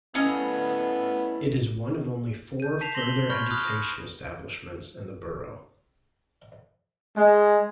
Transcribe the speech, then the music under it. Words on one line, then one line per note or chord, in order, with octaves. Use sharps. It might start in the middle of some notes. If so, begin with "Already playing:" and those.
It is one of only four further education establishments in the borough.
B3 C#4 E4 A4 D#5 F5
G6 D#7
A5 B6 C7 E7 F7
C6 A#6 B6 D#7 F#7 G7
B5 C#6 F6 G6 G#6 A#6
B5 C#6 D#6 F6 F#6
D#6 A#6
G#3